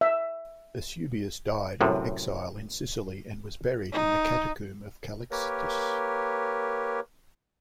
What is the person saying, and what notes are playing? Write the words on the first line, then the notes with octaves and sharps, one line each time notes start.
Eusebius died in exile in Sicily and was buried in the catacomb of Callixtus.
E5
F#2 A2 C3
D#4
A#3 G4 A#4 B4 C#5